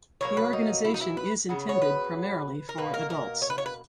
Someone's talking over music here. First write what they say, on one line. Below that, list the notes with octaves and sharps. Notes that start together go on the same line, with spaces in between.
The organisation is intended primarily for adults.
B2 F#3 A#3 C#5
B4
D#4
E4
D#4
E4
B4
C#3 F#3 B3
C#5
B4
A#4
B2 A#3 B4
A#4
A#4
C#5
B4
C#5
B4